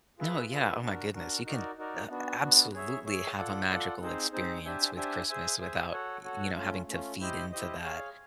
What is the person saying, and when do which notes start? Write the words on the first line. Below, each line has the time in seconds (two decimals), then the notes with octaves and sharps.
No, yeah. Oh my goodness, you can, uh, absolutely have a magical experience with Christmas without, y you know, having to feed into that,
0.19 F4 G#4 B4 E5
0.50 F4 G#4 B4 E5
0.82 D4 F#4 A#4
1.14 D4 F#4 A#4
1.46 D#4 F#4 A#4 D5
1.78 D#4 F#4 A#4 D5
2.10 B3 D4 F#4
2.41 B3 D4 F#4
2.73 G#4 C#5 E5
3.05 G#4 C#5 E5
3.37 F4 A4 D5 F#5
3.69 F4 A4 D5 F#5
4.01 C4 D#4 G#4 C5
4.33 C4 D#4 G#4 C5
4.64 D4 G4 C5 E5 G#5
4.97 D4 G4 C5 E5 G#5
5.28 G#4 C5 E5 G#5
5.60 G#4 C5 E5 G#5
5.92 F#4 A4 C#5 F#5
6.24 F#4 A4 C#5 F#5
6.56 A3 C#4 F4
6.88 A3 C#4 F4
7.20 E4 G4 C5 D#5
7.52 E4 G4 C5 D#5
7.84 G#4 C#5 F5